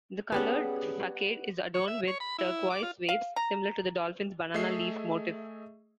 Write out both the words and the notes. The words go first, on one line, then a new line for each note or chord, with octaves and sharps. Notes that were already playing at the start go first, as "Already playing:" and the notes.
The colored facade is adorned with turquoise waves similar to the Dolphin's banana-leaf motif.
G3 B3 C#4 G4 G#4 B4 F#5 A5
C#5
E5
C#5
B5
E4
D6
F4
F5
A#5
A3 G#4 D#5 E5 C7